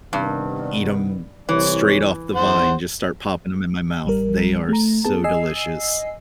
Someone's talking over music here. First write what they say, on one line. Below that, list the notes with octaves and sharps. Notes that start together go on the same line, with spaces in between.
eat ’em straight off the vine. Just start popping 'em in my mouth. They are so delicious.
G2 C3 D#3 B3
C2 E3 C#5
E2 C5 F#5
A1 G3 A#4
A3 A#5
B3 G#4 A5
D#5 G#5 E6 C7